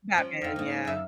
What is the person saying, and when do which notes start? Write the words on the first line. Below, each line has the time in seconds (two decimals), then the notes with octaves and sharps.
Batman, yeah.
0.15 F3 C#4
0.42 F2 C4 D#4 F5
0.56 G#2 A#3
0.85 F#2 E5